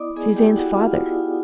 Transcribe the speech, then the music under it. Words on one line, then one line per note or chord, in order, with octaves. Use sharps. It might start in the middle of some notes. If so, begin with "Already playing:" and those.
Suzanne's father!
Already playing: B3 E4 D5 D#5 D6 D#6
B3 G#4 G#5
G4 G5
E4
F#4 F#5
B3 F4 F5
E4